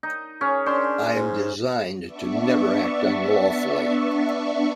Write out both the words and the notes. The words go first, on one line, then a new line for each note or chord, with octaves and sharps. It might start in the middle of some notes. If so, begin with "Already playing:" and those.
I am designed to never act unlawfully.
D#4
C#4 G#4
C#4 D4 C5
G#2
B3 D4 D5 E5 C#6